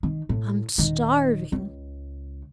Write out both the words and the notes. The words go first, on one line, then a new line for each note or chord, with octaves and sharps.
"I'm starving!"
D#3
A2
D#1 D#3
C#2